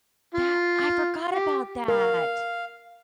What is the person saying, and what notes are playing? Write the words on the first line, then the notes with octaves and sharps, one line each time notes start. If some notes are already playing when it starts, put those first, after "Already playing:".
that I forgot about that.
F4
G4
A#4 F5